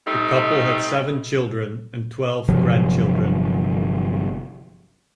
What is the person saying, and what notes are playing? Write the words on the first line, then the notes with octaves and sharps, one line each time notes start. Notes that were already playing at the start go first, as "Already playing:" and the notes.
The couple had seven children and twelve grandchildren.
G3 A3 C4 D#4
G1 C3 F3 F#3